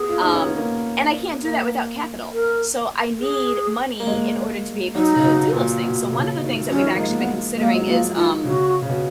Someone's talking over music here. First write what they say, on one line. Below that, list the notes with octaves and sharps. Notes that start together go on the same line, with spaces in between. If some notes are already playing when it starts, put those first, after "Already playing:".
um, and I can't do that without capital, so I need money in order to be able to do those things. So one of the things that we've actually been considering is, um
Already playing: B3 G#4
F4
D#4
C#4
B3
A#3
A#3
A#4
G#4
A#3
G#3
F#3 D#4
C#3
B2
A#2
B2
C#3
D#3
F3 C#4
D#3
F3
A#3
G#3
B3
G#3 A#3
F#3
G#3
F3 A#3
D#3 F4
C#3 F#4
C#3
B2